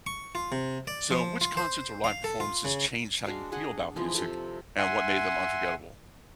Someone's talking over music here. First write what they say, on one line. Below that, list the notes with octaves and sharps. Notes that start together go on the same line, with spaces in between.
So which concerts or live performances changed how you feel about music and what made them unforgettable?
C#6
F4
C3
D5
F3
F4
C5
F5
A4
F4
C#3
G#3 D4 F#4 F5
D4 G#4 D#5 F#5
E3 F3 G#3
C3 F3 A4
E5 F#5 G#5 C6